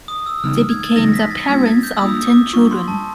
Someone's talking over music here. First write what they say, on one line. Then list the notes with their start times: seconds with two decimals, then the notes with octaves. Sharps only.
They became the parents of ten children.
0.08 D#6
0.26 E6
0.44 C#3 E3 G3 B3 D#4 F6
0.69 G#6
0.83 A6
0.96 C#3 E3 G3 B3 D#4 A#6
1.14 B6
1.31 A6
1.49 G3 A#3 D4 F4 G#6
1.66 A6
1.83 G6
1.97 E6
2.01 G3 A#3 D4 F4 D#6
2.27 D6
2.53 G3 A#3 D4 F4 C#6
2.71 C6
2.88 A5